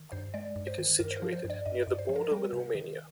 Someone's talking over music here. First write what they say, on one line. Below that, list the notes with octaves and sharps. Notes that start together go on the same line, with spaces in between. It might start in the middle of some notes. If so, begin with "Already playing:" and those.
It is situated near the border with Romania.
Already playing: D#3
G2 C5
G#3 D5
G2
C5
D#3
G2 A#4
C5
A#4
F3
C5
G2
D5
G2 D#5
G2 D5
C5
F3
A#4
G3 A#4
C3
D#3